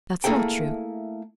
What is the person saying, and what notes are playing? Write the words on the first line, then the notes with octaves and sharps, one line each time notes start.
That's all true.
A3 A#3 E4 G#4 A4 G5